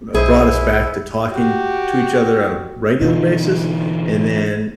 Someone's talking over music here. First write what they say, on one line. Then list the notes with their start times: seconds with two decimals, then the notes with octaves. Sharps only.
ma brought us back to talking to each other on a regular basis. And then
0.14 B1 E4 G#4 C5 D#5
1.32 F#4 G4
3.02 B2 D3 E3 D#4 F4